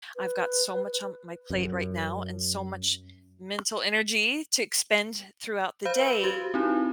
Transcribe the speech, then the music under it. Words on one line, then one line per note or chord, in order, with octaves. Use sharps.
I've got so much on my plate right now and so much mental energy to expend throughout the day,
B4
F#2
C5 F5 B5 G6
B4
F#4 G4
C4 D#4 E4